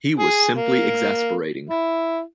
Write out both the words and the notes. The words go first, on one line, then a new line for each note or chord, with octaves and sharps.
He was simply exasperating.
G#4
A#3
E4